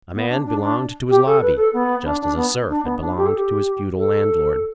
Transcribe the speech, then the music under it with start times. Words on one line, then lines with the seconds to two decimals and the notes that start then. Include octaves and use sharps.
A man belonged to his Lobby, just as a serf had belonged to his feudal landlord.
0.14 B3
0.29 D4
0.45 D4
0.62 D4
1.09 G4
1.25 A4
1.41 B4
1.57 A4
1.73 B3
2.05 D4
2.21 D4
2.36 B3
2.69 D4
2.84 B3
3.01 D4
3.17 G4
3.26 A4
3.36 G4
3.96 A4